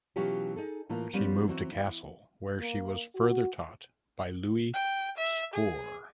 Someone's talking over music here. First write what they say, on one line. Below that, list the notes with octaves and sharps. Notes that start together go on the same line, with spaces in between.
She moved to Kassel where she was further taught by Louis Spohr.
B2 E3 F#3 C#4 F4 G4
D#4 G#4 A4
A2 E3 A#3 F4
F3 G3 B3 C#4
E3 F#3 C4 F#4
E4
A#3
F#4
G5
E5
G#4